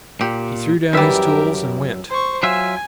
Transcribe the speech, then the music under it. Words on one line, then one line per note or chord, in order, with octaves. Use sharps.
He threw down his tools and went.
A#2 G4
F#2 E3 G3 G4 A#4 E5
C5 C#6
F#3 F4 E5 G#5